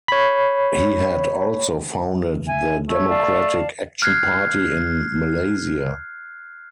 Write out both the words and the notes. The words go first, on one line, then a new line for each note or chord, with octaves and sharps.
He had also founded the Democratic Action Party in Malaysia.
C#5 B5
E5 G#5
A3 C#5
D5 F5 A5
F6 F#6 G#6 C7